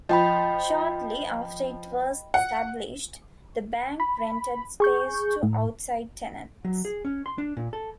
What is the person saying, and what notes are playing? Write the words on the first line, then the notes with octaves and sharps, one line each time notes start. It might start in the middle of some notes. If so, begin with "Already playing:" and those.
Shortly after it was established, the bank rented space to outside tenants.
F3 D#5 G5 B5
F#5
B5
G#4 C#6 G6
A2
F#3
G#4
C#4
C6
D4
A#2
A4